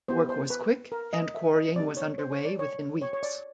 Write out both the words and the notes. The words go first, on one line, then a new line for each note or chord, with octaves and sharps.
Work was quick and quarrying was underway within weeks.
B3 E4 G4 C5
C5
B4
A#4
D#5
E5
D#5
A3 C4 D#4 G4 D5
C#5
C5
C#5
D5
C#5
C#5
C#5
D5